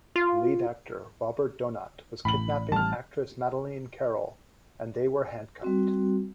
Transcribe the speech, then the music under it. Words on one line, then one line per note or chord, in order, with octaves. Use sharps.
Lead actor Robert Donat was kidnapping actress Madeleine Carroll and they were handcuffed.
F4
A1 A2 B5 F#7
A1 G3 A5 F6
G3 C4 F#4